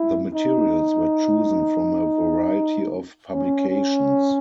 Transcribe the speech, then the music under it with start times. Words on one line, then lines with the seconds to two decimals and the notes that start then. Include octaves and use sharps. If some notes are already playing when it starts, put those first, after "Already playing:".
The materials were chosen from a variety of publications.
Already playing: E4
0.34 D#4
3.32 C#4
3.70 C#4